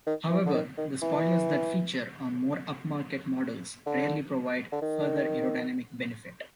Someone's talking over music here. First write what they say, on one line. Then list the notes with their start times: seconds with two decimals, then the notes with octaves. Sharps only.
However, the spoilers that feature on more upmarket models rarely provide further aerodynamic benefit.
0.07 D#3
0.31 E3
0.46 D3
0.54 D#3
0.78 D#3
1.02 E3
3.86 D3
4.72 D3
4.82 D#3